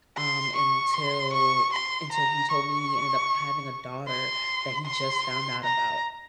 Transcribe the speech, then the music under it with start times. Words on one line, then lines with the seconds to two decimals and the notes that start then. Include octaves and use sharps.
um, until until he told me he ended up having a daughter that he just found out about.
0.17 C6
0.56 C#6
0.94 C6
1.33 C#6
1.73 C6
2.12 A#5
2.51 C#6
4.08 C6
4.86 C6
5.64 A#5